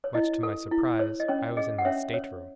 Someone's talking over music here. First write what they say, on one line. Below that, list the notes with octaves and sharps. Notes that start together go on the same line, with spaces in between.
Much to my surprise, I was in my stateroom.
C#5
E4 D#5
A4
E4
C#5
D#5
C#4 C#5
G#4 D#5
F#5
C#4 C#5 E5
C#5